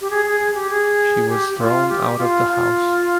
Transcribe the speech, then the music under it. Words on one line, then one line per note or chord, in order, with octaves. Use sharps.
She was thrown out of the house.
G4
G#4
G#4
G#4
G4
G#4
G4
G4
F4
G4
F4
F4